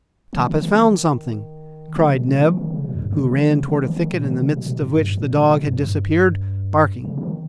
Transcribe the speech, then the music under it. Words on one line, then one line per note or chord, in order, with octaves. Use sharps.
"Top has found something!" cried Neb, who ran towards a thicket, in the midst of which the dog had disappeared, barking.
D#3
E3
D#3
D#3
D#3
C#3
B2
C#3
E3
D#3
C#3
B2
E2
G2
C#3
D#3
C#3
D#3
E3
D#3
A#2
D#3
C#3
B2
B2
G#2
G2
A#2
B2
B2
G2
G#2
G2
C#3
E3
D#3